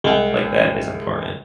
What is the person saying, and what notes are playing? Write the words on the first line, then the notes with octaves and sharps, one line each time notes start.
like that is important.
C2 G#3 F#5